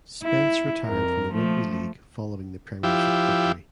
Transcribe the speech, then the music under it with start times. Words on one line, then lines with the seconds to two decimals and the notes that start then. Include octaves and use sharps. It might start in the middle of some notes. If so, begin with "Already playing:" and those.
Spence retired from rugby league following the premiership victory.
0.24 E4
0.86 F2 A#4
1.32 F3 A3
2.83 F3 E4 G4